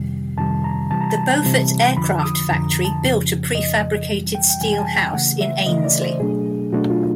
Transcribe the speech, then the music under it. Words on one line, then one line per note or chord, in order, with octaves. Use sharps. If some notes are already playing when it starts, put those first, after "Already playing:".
The Beaufort aircraft factory built a prefabricated steel house in Ainslie.
Already playing: F2 C3 D#3 G3
F2 C3 D#3 G3 A5
A#5
C3 E3 G3 A5
A#5
A5
C3 E3 G3
F2 D3 F3 B5
D#6
F2 D3 F3 A#5
A5
F2 C#3 F3
F2 C#3 F3 D#5
F2 C3 E3 G3
G5
G5
F2 C3 E3 G3 G#5
G#5
A5
G5
C#3 E3 A3 F#5
E5
C#3 E3 A3 D#5
D5
C5
B2 F#3 A3 D4 G#4
B2 F#3 A3 D4 F#4
F4